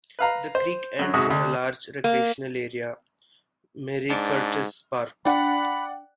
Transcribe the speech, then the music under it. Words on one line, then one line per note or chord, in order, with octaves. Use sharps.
The creek ends in a large recreational area, Marie Curtis Park.
B4 F5 A#5
C5
F#2 F#3
C2 G#2 G#3 F#4 D#6
D2
A#3
G#2 D4
D4 D5 F#5 G5 B5